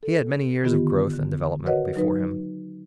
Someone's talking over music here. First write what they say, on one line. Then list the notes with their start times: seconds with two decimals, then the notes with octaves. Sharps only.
He had many years of growth and development before him.
0.03 A4
0.64 D3 D#3 B3 F4 G4
1.13 D3
1.66 F#4 A#4 B4 C#5 D#5 F#5
1.96 F#3 D#4 B4